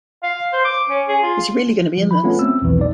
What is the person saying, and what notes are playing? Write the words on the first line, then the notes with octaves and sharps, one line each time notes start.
Is he really going to be in this?
F5
C5
D6
C#4
G#4
F4
F3
B5
A3 B3 C#4 F4
C4 E6
B1 E2 E3
B3 D#4 D5